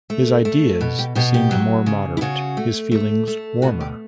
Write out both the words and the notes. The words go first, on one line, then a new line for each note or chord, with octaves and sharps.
His ideas seemed more moderate — his feelings warmer.
A3
A3
B2
G4
B2 G4
G4
F#3
C#3
E4
C#3 F#4
A3
A3
A3
B2 F#4
G4